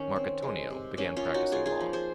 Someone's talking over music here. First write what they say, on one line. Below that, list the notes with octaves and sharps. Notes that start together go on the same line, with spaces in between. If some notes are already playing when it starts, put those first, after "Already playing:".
Marcatonio began practicing law.
Already playing: D#3 C#4
C4
G#3
C3
A#3 C#4
C#4 F4
A#3
D#4 F#4
A#3 F4 G#4
F4 G#4
F3
G#4 C5